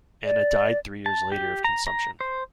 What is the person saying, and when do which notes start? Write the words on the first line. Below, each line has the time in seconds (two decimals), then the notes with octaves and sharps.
Anna died three years later of consumption.
0.24 D5
1.06 A5
1.32 G4
1.64 A#5
1.87 A#5
2.21 C5